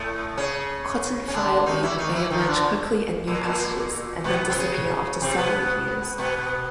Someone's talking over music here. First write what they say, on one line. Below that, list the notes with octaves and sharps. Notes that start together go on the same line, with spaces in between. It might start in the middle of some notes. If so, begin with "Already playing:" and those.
Cotton fireweed may emerge quickly in new pastures and then disappear after several years.
Already playing: A2 A3
C#3 C#4
C#4
D3 D4
D#3 D#4
E3 E4
D#3 D#4
E3 E4
D#3 D#4
C#4
D3 D4
A#2 A#3
A#2 A#3
B2 B3
C4
C#3 C#4
C3 C4
B2 B3
B2 B3